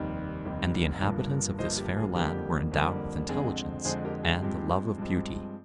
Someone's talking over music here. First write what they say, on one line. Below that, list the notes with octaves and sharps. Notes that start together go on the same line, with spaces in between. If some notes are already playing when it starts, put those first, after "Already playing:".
And the inhabitants of this fair land were endowed with intelligence and the love of beauty.
Already playing: F1 D#2 D#3 G3 C4
F1 D#2 D#3 G3 C4
G1 G2 F3 A#3
G1 G2 F3 A#3 C5 D#5
G4
G#4
F2 D3 G3 A#3 G4
F2 D3 G3 A#3
F2 D3 G#3 C4 G#4
F2 D3 G#3 C4 G#4 C5
G4 A#4
G#4
G2 F3 G#3 C4 G4
G2 F3 G#3 C4